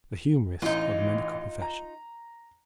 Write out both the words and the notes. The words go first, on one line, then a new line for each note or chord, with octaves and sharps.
The humorist of the medical profession.
A1 E3 D#4 F4
A#5